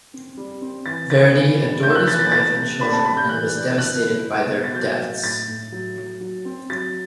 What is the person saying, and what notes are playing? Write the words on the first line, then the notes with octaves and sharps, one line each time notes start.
Verdi adored his wife and children and was devastated by their deaths.
C4
G3
C4
E3 A6
C4 A6
E3
G3
A3 G6
E6
F#6
E3 A6
A6
A3 A6
C3
D4 B5
A5
G3 B5
G6
E3 F#6
D4
B2 F#6
E4
B2
B2
A6
F#3 G6
A2
A2 A6
A2
F#3
F#3
F#3
C4
F#3 A6